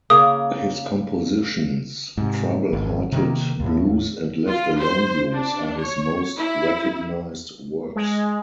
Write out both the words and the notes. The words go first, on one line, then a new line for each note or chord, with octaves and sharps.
His compositions "Trouble Hearted Blues" and "Left Alone Blues" are his most recognized works.
C#3 A#3 D#6
G#2 C3
G#1
C3 D#3 A#3
D#2 A2
F4
C5
D4
C#5
E4
G#3